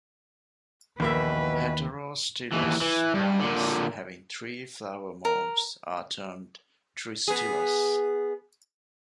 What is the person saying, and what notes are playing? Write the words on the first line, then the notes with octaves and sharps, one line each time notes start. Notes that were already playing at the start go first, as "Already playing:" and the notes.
Heterostylous plants having three flower morphs are termed "tristylous".
A#1 D#2 B2 E3 A#3 F#4 B4 E5
D#2 E3
E3
G2
A#2 D3
A#4
B3 G#4